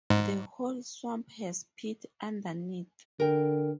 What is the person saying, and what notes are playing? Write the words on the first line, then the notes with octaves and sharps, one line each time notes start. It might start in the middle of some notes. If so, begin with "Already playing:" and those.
The whole swamp has peat underneath.
G#2
D3 A#4 G5